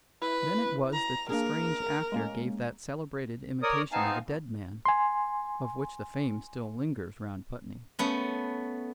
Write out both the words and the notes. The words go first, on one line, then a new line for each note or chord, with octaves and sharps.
Then it was that the strange actor gave that celebrated imitation of a dead man, of which the fame still lingers round Putney.
E4 B4
A#5
A#3 D4 G#4 A#4
G#3 A#3 C#4
A#4 C#5 D5 D#6
B3 C4 D#4 F5 G#5 A5
E2
G#5 C6
A3 B3 C#4